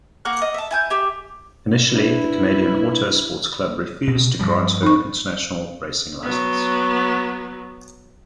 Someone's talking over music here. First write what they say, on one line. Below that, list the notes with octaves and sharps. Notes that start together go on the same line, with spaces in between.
Initially the Canadian Auto Sports Club refused to grant her an international racing license.
A#3 F#4 A#4 F#6
D#5
E5 A5
E4 G#5 G6
G4 E5
D4 E4 B4
B2
G2 F3 G3
D#4 C#6
F#3 B3